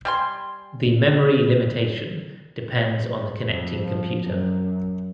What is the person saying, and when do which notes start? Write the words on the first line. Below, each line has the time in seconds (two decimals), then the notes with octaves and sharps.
The memory limitation depends on the connecting computer.
0.05 G3 G#5 C6
3.45 F2
3.81 F3
4.27 F#2